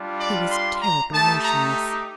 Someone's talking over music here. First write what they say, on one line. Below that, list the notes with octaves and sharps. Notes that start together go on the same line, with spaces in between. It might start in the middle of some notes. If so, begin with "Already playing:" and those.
He was terribly motionless.
Already playing: G3 D4 F4
D5
C6
A#5
A3 D#4 G4 A5
A#5